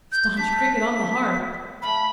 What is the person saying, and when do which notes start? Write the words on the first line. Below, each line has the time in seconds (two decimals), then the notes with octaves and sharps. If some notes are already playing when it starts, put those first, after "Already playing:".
Staunch Cricket on the Hearth!
0.12 G6
0.37 D4 B6
0.52 A4 B4
1.82 A3 F5 B5 C6